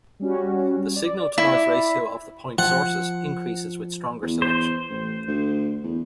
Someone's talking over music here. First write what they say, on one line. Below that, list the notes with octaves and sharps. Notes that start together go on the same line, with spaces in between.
The signal to noise ratio of the point sources increases with stronger selection.
G3 C#4 F#4
D5
E4
F3 F#5
E2
C5
A1
D2
E2